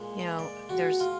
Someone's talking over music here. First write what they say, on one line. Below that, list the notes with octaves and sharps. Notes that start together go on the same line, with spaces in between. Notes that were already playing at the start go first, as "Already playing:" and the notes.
you know, there's,
Already playing: A#2 G#3
D5
F#4
F4